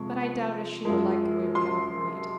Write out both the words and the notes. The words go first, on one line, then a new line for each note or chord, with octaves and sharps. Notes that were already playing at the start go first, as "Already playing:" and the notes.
But I doubt if she will like the way we operate.
Already playing: F2 C3 F3 G#3 C#6
F#2 F3 G#3
C6